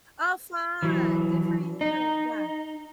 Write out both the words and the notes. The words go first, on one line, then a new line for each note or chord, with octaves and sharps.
Oh, fun! Good for you. Yeah.
E3 F#3
D#4